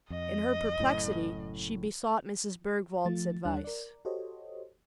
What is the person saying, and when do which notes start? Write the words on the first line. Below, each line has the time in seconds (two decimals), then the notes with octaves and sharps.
In her perplexity, she besought Mrs. Bergwald's advice.
0.10 F2 D#5
0.79 F#1 F#2 A2
3.05 F3 A3 F4 A6
3.45 D#2 G3 D4 C#5 A5 F#6
3.64 A#4 D5
4.05 F#4 G4 A4 C5 C#5 D#5